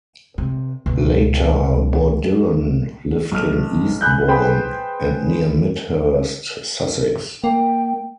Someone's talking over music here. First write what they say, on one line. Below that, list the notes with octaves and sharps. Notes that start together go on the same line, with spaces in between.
Later Bourdillon lived in Eastbourne, and near Midhurst, Sussex.
C3
C#2 B2
B1 F6
G#5 B5 F#6 G6
G#4 B4 C5 G5 B5
A#3 G5